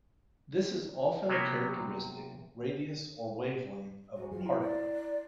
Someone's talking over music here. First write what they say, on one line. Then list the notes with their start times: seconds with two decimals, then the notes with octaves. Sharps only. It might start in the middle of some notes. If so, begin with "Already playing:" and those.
This is often a characteristic radius or wavelength of a particle.
1.29 C3 F#3 A#3 B3
4.16 F#4
4.32 G2 F#3 F4 G#4
4.45 E4 A#5 C6
4.61 D5